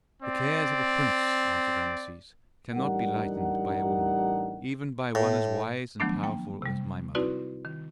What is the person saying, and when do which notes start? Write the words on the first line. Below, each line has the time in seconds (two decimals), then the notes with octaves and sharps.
"The cares of a prince," answered Rameses, "cannot be lightened by a woman, even by one as wise and powerful as my mother."
0.23 C4 D5
2.75 A1 G3 D4 D#4 A#4 F#5
5.15 A2
6.00 D#3 F3 F#3 A3 B3 D4
6.23 A#3 G5
6.62 C3 G3
7.15 C4 D#4 E4 F#4 B4 D5
7.65 D#3